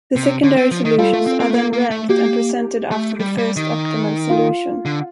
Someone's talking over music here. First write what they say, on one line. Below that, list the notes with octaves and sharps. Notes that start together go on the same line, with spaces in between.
The secondary solutions are then ranked and presented after the first optimal solution.
C3
D3
C4
F3
D#3
G3 F4 A4
A3
C4
C4
A3
A#3
A#3
A3
A#3 G4
A3
G3
G3
D#3
F4
D3